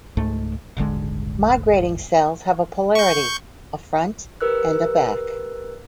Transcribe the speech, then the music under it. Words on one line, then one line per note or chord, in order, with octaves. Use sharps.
Migrating cells have a polarity-a front and a back.
C#2 G#2 A3
D#1 G#1 D3 G#3
C#6 G6
G4 A#4 B4 E6 F#6